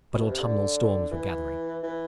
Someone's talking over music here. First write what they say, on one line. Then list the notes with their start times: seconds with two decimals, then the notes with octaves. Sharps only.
But autumnal storms were gathering.
0.13 B2
0.27 C3
0.39 D3
1.11 E3
1.83 E3